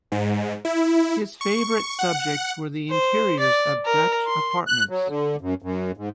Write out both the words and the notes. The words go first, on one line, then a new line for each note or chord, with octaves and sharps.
His favourite subjects were the interiors of Dutch apartments.
G#2
E4
C#6
F#5
C5
D5
A#4
C6
F#6
F#3
D3
F#2
F#2
G#2